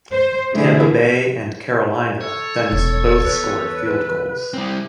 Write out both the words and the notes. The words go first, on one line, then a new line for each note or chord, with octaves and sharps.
Tampa Bay and Carolina then both scored field goals.
C5
D3 E3 A3 E4 G#4
A4 C#5
E1
E2 B4
G3 C4